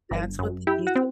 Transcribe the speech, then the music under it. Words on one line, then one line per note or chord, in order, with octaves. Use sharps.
that's what the DC
G1
F#2
E4 G4
F#4
C4